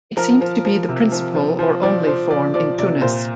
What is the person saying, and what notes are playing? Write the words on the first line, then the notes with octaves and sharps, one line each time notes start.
It seems to be the principal or only form in Tunis.
F3 A#4
F3
F3
C3
F3
F3
F3 C5
F3 D5
F3 C5
F3 D5
F3 D5
C3 D5
A#2 C5